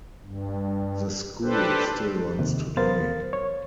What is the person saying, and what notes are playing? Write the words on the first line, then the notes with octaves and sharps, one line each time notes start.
The school still runs today.
G2
D4 G4 A4 B4 C5
D#2 C3 D#3
E2 B3 A#4 C5 F5 A6
C#5